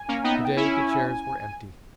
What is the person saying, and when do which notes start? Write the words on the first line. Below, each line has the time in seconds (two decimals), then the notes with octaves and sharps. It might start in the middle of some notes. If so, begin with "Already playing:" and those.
Today the chairs were empty.
Already playing: G#5
0.08 A#3 C#4
0.24 B3 D#4 G5
0.35 E5
0.45 G5
0.57 C#4 E4 G#5